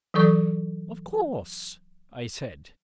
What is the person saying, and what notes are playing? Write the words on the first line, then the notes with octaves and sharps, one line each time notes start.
"Of course," I said.
E3 F#3 A4 C#6